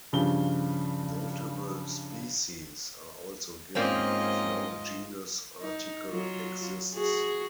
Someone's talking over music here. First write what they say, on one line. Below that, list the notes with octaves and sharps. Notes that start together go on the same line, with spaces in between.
Notable species are also given if no genus article exists.
G2 C#3 F3 G7
G#2 A#3 C4 C#4 F4 D#5
D#4
F#3 F4
F#4 G#4